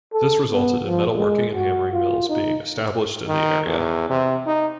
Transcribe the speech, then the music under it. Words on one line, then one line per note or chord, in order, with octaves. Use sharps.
This resulted in metalworking and hammering mills being established in the area.
A4
B3
F3
G#3
F#4
F4
D#4
D#3
E2
C3
D#4